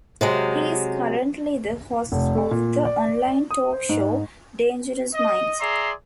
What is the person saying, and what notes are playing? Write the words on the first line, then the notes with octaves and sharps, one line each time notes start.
He is currently the host of the online talk show "Dangerous Minds".
C3 F#3 G#3
F1
A3
A#2
D5
D#6
C5
G#2
D#5
G#4 D5 E5 A#5 C6